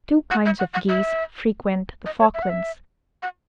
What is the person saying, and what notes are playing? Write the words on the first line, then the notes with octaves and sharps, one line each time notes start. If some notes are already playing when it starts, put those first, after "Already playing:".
Two kinds of geese frequent the Falklands.
F#5
E5
F#5
F#5
E5
D#5
C#5
E5
F#5
E5
F#5